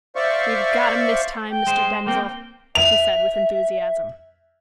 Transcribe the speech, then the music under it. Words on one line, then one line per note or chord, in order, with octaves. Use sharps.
"We've got him this time, Mr. Denzil," he said, with enthusiasm.
C5 D5 E5 F5 C#6
G5
G#3 C5
A#3 C4 G5
E5 F7